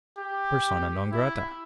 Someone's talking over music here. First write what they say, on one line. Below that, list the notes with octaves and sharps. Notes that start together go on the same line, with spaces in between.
Persona non grata.
G4
E4